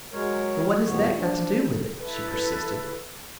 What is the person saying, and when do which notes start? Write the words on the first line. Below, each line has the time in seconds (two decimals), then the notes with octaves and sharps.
"But what has that got to do with it?" she persisted.
0.13 F#3 G#3 A#4 C#5
0.85 E2 G2 A#2 D#3 B3 C#5
1.18 F3 D4
1.98 E4 A4 B4